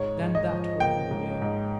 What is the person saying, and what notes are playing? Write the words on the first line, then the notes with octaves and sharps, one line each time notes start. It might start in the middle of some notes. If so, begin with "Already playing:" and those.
Then that will be the game.
Already playing: G#2 C#5
G#2
D#5
F3
A#3 G5
G#2
G#2